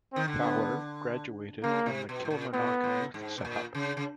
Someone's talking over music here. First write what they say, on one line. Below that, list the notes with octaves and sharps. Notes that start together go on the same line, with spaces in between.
Fowler graduated from the Kilmarnock youth setup.
D#3 C4
D3
B3
C#3 A#3
C3
B2
A2
A#2
A2 B3
A2
G#2
B2
A#2
C#3
C#3